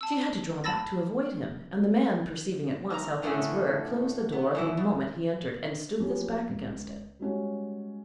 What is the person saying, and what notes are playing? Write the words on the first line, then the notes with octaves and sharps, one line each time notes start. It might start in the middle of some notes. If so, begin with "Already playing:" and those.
She had to draw back to avoid him, and the man, perceiving at once how things were, closed the door the moment he entered, and stood with his back against it.
A5 E6
A5 B5 E6 A6 A#6
D4 D#4 A#5
F2 A2 D3 G#3 A3 C#4
B3
G#2 B2 E4
B2
F3 F#3 C#4 G4
C#2
G3 G#3 C#4 F#4